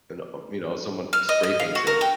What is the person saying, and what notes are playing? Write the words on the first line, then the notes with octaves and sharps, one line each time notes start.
and, uh, you know, someone spray painting.
F6
D#5
D#5
F5
F#4
A#4
G5